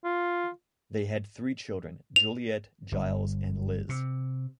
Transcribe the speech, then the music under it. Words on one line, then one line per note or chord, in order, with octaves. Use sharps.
They had three children Juliet, Giles and Liz.
F4
F7
G1
C3